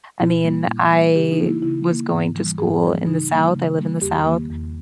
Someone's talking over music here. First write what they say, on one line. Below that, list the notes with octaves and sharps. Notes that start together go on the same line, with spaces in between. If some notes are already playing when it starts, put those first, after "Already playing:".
I mean, I was going to school in the South, I live in the South,
A#2 E4
G3 A#3
A#2
G3 A#3
C#3 G4
D#4
E3 A#3
E4
C#3 E4
E3 A#3
G#2
E3 G3
G#2 G#4
E3 G3
C#3 D#4
G3 A#3
C#3
G3 A#3
E2 G4
D#3 A#3
E2